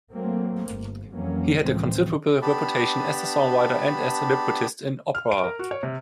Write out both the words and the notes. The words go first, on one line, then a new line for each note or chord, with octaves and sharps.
He had a considerable reputation as a songwriter and as a librettist in opera.
F#3 A3 A#3 C4
G1
F2 E3 F#3 G3 A#3 C#4
C#2 A2 C#3 E3 F3 C4
B3 D4 G4 A5 B5
F6
D7
A#4
F#4
C#5
C3